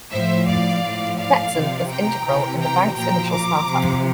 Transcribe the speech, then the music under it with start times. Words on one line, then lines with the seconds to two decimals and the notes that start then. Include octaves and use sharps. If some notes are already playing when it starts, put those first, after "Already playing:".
Metzen was integral in the bank's initial startup.
0.11 A2 F3 C5 E5
0.47 D5 F5
0.82 A2 F3
1.18 D5 F5
1.54 C3 F3
1.89 G5 A#5
2.24 C3 E3
2.60 G5 A#5
2.95 A#2 F3 G5 A#5
3.31 A#5 D6
3.67 C3 F3